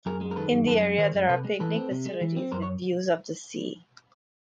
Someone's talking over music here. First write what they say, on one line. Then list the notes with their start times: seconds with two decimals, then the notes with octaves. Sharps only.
In the area, there are picnic facilities with views of the sea.
0.06 F#2 G#4 A#4
0.21 G#3
0.31 A#4
0.36 D#3 A4 B4
0.52 F#2
0.67 F#2 A4 B4
0.82 G#3
0.98 D#3 A#4 C5
1.14 F#2
1.29 C3 A4 B4
1.44 G#3
1.60 E3 A4 B4
1.76 C4
1.91 C3
2.06 G#3
2.21 E3
2.36 C4
2.52 F#2 A#4 C5
2.62 C#5